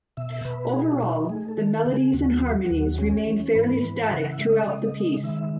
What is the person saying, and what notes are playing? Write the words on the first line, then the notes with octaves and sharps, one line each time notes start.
Overall, the melodies and harmonies remain fairly static throughout the piece.
B2 E5
B2 B4
F#4
D#4 G#4
F#4
D#4
A3 G#4
A4
D#3
A4
C#3 G#4
D#2 F#4
F#3 F#4
D#2 F#4
C#4 G#4
E3
G#2 B4
E3
C#3 F#5
E5
G#3
D#5
C#3
G#3
D#3 E5